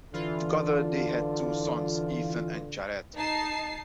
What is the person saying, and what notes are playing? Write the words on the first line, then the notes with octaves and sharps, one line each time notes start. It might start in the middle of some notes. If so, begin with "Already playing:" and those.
Together they had two sons, Ethan and Jared.
D3 E3 F4
D#4 A5 C7